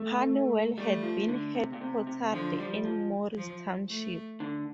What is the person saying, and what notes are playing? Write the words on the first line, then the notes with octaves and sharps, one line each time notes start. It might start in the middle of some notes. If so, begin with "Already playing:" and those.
Honeywell had been headquartered in Morris Township.
Already playing: A3
G3 A3
F3
D3
C3
A#2
C3
C3
D3 F3
G3
F3
F3
A3
D3